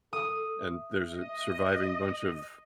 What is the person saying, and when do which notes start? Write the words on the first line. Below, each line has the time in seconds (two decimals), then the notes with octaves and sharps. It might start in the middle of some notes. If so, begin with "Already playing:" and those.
and there's a surviving bunch of
0.13 A4 D#6
0.60 E5
1.15 D#5